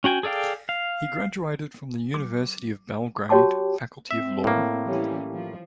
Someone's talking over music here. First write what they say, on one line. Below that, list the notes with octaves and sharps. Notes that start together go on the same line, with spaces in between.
He graduated from the University of Belgrade Faculty of Law.
C#4 F#4 G5 G#5
G#4 A4 D5 F5 G5
F5
D6
F#4 G4 C#5 G5 A5 D6
C4 E5
A2 A#3
E3 G3 C#4
F3